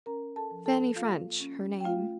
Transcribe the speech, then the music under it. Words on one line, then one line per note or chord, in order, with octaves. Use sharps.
Fanny French, her name.
C#4 A#4 A#5
A4 A5
F3
A4 A5
A#3 F4 F5
C#4
G5
A3 F4 F5